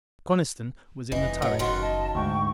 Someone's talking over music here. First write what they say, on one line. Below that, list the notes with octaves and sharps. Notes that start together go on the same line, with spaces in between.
Coniston was in the turret.
F1 E3 D#5
A2 F#3 F#5
F#1 F#2 D#3 F4 F#4 C6
D#5 A5
D2 G#2 G5 C#6